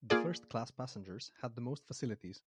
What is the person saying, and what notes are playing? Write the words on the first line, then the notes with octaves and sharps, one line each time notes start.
The first class passengers had the most facilities.
A#3 F4 G#4 D5